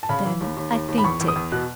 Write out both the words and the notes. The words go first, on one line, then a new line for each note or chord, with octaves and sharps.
Then I fainted.
A5
C#3 B5
E3
D#2
D#2
D#2
D#2
B5
E2 C#6
E2
D#6
E2
B2 F#6